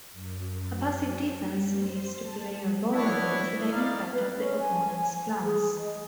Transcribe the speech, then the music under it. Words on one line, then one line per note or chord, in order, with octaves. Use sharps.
A passive defense leaves the player vulnerable to the impact of the opponent's plans.
F#2
G3
C5
A5
B3 D4 E4 C#5
D#4 D5 F5
B4
C#4
G#5
G#4
D#5